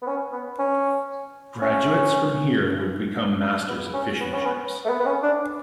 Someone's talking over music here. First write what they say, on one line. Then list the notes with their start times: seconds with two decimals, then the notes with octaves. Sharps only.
Graduates from here would become masters of fishing-ships.
0.02 B3
0.07 C#4
0.32 B3
0.59 C#4
1.62 C#4
3.68 B3
3.94 C#4
4.20 B3
4.33 C#4
4.45 B3
4.85 A3
4.89 B3
4.99 B3
5.06 C#4
5.23 D4